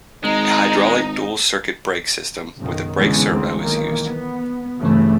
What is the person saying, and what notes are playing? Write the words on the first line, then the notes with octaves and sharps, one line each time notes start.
A hydraulic dual circuit brake system with a brake servo is used.
G#1 G#3 D#4
F#1 B1 D#3
B2 D3 E3 G#3 B3 C#4
D2 D3 G#3 C4
B1 D#3 E3 A#3
B3
G1 C2 C#3 E3 A3